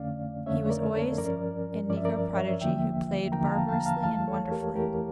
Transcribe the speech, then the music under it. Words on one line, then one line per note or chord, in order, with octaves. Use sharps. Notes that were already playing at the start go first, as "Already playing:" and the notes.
He was always a negro prodigy who played barbarously and wonderfully.
Already playing: F2 D3 A3 C#4 D5 F5
F2 D3 A3 C#4 C#5 E5
C#5
A#4 D5
A4 C#5
G2 F3 C#4 A#4 D5
G2 F3 C#4 D5
E5
A#4 D5
C#5 E5
E2 D3 F3 A#3 E5 G5
E2 D3 F3 A#3 G5 A#5
A#5
F5 A5
F5 A5
A#5
F5 A5
E2 E3 A3 F5 A5
A4 C#5
C#5
G4 A#4
E2 E3 A3 G4 A#4